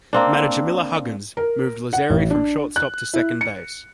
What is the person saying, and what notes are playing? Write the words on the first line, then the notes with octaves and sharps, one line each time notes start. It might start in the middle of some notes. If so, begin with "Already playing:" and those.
Manager Miller Huggins moved Lazzeri from shortstop to second base.
A#3 C4 D4
A#4
F#5
A1
D4
F#6
E4
C#7